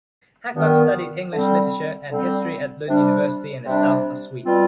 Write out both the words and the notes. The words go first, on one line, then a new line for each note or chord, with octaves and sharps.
Hagberg studied English literature and history at Lund University in the South of Sweden.
G2 D#3 B3
D3 G3 C4
D3 G3 C4
C3 G3 D4
C3 G3 D4
B2 G3 C4 F4